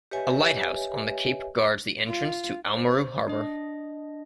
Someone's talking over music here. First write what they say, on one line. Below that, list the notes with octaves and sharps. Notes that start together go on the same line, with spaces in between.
A lighthouse on the cape guards the entrance to Oamaru Harbour.
G4 B4 C#5 D#5 E5 G#5
F4
C5
D4 D#5